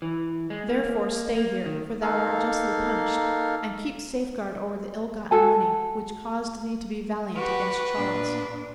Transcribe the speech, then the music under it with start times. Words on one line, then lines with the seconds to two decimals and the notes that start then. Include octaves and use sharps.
Therefore stay here, for thou art justly punished, And keep safe guard o'er the ill-gotten money, Which caused thee to be valiant against Charles.
0.02 E3
0.50 G#3
0.69 A#3
1.35 A#3
1.66 D#3
2.02 A#3 D#4 A4 F5
5.31 F#4 A4 G#5
7.36 F#4 G4 B4
7.95 A#2 D4